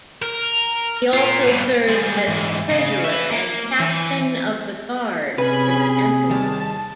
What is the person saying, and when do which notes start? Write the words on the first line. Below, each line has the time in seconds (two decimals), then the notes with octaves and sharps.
He also served as Treasurer and Captain of the Guard for the Emperor.
0.22 A#4
1.13 F4 A#4
1.47 G2 B2
1.88 G3 G#3
2.28 G#2 E3
2.71 C#3
3.05 B4 E5
3.31 A#3
3.80 E3
5.38 C3 C#4 G#4 B4 G#5 B5
6.30 D#2 G3 A5